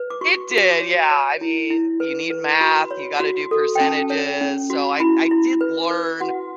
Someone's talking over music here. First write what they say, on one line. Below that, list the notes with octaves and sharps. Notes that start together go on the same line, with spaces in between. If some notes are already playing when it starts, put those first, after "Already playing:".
it did, yeah, I mean, you need math, you gotta do percentages, so I I did learn
Already playing: B4
D6
F#4 C#6
F#4
C#5
C#5
E4
E4
B4
B4
F#4 B5
C#5
F#4
A4
G5
C#4 A5
C#5
C#4
F#4
E4 B5
E4
B4
B4
F#4 F#5